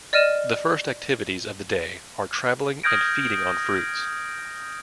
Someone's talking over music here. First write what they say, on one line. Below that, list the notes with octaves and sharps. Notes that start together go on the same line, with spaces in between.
The first activities of the day are traveling and feeding on fruits.
D5 D#5 F6 D#7 E7
D#6 F6 G6 G#6 A#6 D7